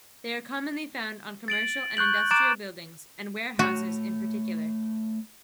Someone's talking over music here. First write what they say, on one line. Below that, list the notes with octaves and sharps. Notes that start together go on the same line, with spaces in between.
They are commonly found on commercial and industrial buildings, and warehouses in particular.
A6 D7 F#7
C#6 F#6 G6 F#7
A#5 D6 F#6 A6 D7 E7
A3 F#4 C#5